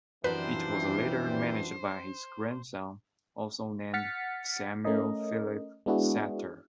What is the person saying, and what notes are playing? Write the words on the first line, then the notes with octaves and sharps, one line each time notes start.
It was later managed by his grandson, also named Samuel Philip Sadtler.
F#2 E3 F3 G3 C4 D4 B4 C5
F#5 F6 A6 B6 C#7
A3 C#4 A#4 D#5
G#3 B3 D4 E4 F#4 G#4